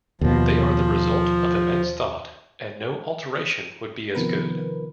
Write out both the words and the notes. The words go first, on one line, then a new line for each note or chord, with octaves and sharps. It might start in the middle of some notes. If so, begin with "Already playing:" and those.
They are the result of immense thought, and no alteration would be as good.
D#2 B2 F3
C3 D#3 F3 B3 A#4 B4